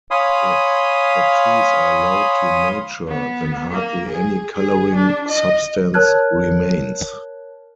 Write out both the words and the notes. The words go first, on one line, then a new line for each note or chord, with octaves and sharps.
If the trees are allowed to mature then hardly any colouring substance remains.
C#5 F5 G#5 B5 C6 D#6
B3
A#3
G#4
G#4
D4
D#5
A#4 C#5 A5 F6 F#6 G#6